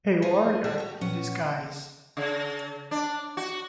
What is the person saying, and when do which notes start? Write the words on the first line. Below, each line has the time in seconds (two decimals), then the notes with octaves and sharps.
A warrior in disguise.
0.22 F3 F4 G#4 F5
0.64 D#2 G3 G#4 E5 A5
0.78 F#4 G4
1.01 A#2 B3 C#4 F#5
2.17 C#3
2.91 D4
3.37 F#4